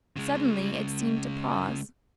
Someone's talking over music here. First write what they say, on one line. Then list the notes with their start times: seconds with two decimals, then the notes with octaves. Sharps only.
Suddenly it seemed to pause.
0.17 C#3 G#3